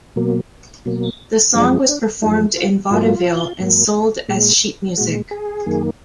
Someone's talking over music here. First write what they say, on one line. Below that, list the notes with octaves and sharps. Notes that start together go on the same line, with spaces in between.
The song was performed in vaudeville and sold as sheet music.
B2 F#3 A#3
B2 F#3 A#3
F#2 F3 G#3 D4
D4
F#2 F3 G#3 D#4
F4
G#2 F#3 A#3 F4
G#2 F#3 A#3
A#2 G#3
A#2 G#3 F#4
G#4
F#2 D#3 A#3